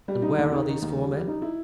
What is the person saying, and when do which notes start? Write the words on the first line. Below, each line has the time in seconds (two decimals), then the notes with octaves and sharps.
"And where are these four men?"
0.08 G3
0.22 D#4
0.38 D#2
0.52 D#3
0.68 D#4
0.82 D#2
0.97 G3
1.12 G3
1.27 D#4
1.42 E4